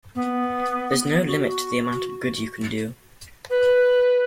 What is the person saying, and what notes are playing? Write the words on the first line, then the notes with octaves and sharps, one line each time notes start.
There's no limit to the amount of good you can do.
B3
F#4
B4